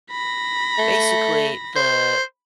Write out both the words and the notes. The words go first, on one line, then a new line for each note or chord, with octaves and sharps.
basically the
B5 A#6
A3
C5